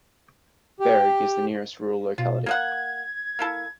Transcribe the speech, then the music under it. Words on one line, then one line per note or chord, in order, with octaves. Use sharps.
Bereg is the nearest rural locality.
G4
B2 F4
A#3 D#5 F#5 G#6
A#3 E4 A4